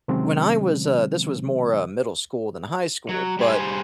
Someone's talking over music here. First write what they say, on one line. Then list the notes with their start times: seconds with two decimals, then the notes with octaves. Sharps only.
when I was, uh this was more, uh, middle school than high school, but
0.08 C3 D#3 F#3 G#3 C4 C#4
3.09 F#3
3.39 G3 G#4 C5